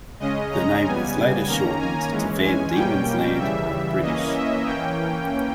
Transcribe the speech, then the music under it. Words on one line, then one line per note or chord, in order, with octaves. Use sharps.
The name was later shortened to Van Diemen's Land by the British.
C#3 G#3 C#4 D#5
A#5
C#3 G3 B3 G#5
G#5
D#3 A#3 C#4 A#5
G#5
E3 G#3 C#4
G#5
B2 G3 A#3 C#4 G5
C#3 E3 G3 E5
E3 A#3 C#4 D#5
E5
E3 A#3 C#4 G5